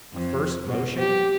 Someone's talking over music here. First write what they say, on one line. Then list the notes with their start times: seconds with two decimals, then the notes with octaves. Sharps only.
A first motion?
0.14 F2
0.68 B2
0.99 G4